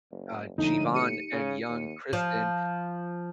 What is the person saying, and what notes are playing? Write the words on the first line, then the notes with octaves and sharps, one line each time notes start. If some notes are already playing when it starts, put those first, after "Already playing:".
uh, Jeevan, and young Kristen
F#1
A2 D3 F3 D#4 D#7
D#4 G4 C#7 D#7
C#3
D#2
F3